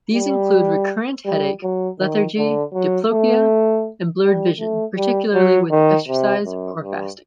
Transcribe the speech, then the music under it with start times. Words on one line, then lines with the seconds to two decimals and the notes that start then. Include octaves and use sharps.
These include recurrent headache, lethargy, diplopia, and blurred vision, particularly with exercise or fasting.
0.14 G3
1.25 G3
1.63 F#3
1.99 D#3
2.37 D3
2.73 F#3
3.11 A3
4.23 G3
4.59 A3
4.97 G3
5.34 F#3
5.70 D#3
6.08 C3
6.45 F#2
6.82 G2